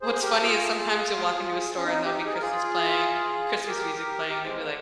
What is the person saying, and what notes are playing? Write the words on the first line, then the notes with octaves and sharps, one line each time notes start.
what's funny is sometimes you'll walk into a store and there'll be Christmas playing Christmas music playing, and you'll be like,
G#4 C5
G4 A#4
F4 G#4
C#4
C4 D#4
D#4 G4
G#4
A#4
F4 G#4
G#4
G4 A#4
G4 A#4
G#3 C4
A#3